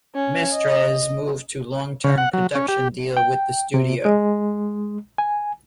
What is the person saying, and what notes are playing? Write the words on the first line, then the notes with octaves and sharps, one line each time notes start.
Mestres moved to long term production deal with the studio.
C#4
D#5
C#3
F#5
F#3
C#4
G4
G5
C3
G#3
G#5